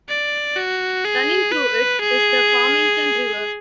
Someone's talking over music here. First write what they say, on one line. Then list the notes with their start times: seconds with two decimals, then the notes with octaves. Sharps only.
Running through it is the Farmington River.
0.09 D5
0.56 F#4
1.04 G#4
1.52 B4
2.00 G#4